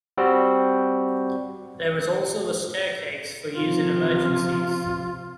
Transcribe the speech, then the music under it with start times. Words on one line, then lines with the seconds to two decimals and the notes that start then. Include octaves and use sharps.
There is also a staircase for use in emergencies.
0.18 G3 C4 F#4
3.54 C3 F3 F4